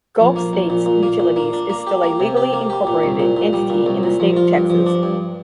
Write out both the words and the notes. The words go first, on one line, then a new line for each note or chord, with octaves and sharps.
Gulf States Utilities is still a legally incorporated entity in the state of Texas.
A#1
A#3
A#1
A#2
A#2
A#3
A#2
A#3
D4
A#3
G4
A#3
C3
G4
A#3
G4
A#2
C2
A#2
A#2
G3
A#2
C2
A#2
F3
F4
G2
F3
D4
G2